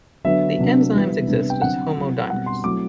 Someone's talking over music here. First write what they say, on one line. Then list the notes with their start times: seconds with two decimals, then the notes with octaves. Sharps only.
The enzymes exist as homodimers.
0.24 D3 F#3 B3 E5
0.58 C3 F#3 B3 D4
0.93 E3 G3 B3
1.27 C3 G3 B3 D4
1.50 G5
1.61 D3 F#3 C4 F#5
1.96 F#3 C4 E4
2.30 B2 G3 C4 F#5
2.46 C6
2.64 F#3 A3 C4 E4 D6